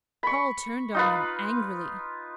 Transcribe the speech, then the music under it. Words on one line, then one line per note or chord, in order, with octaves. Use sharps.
Paul turned on him angrily.
B5 C#6
D#4 F4 B4